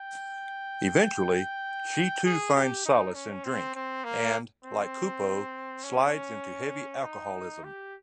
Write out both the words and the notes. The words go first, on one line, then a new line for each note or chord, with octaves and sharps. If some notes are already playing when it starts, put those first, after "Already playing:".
Eventually, she too finds solace in drink and, like Coupeau, slides into heavy alcoholism.
Already playing: G5
G#4
G4
D#4
C#4
C4
C4
A#3
C4
C#4
D#4
G4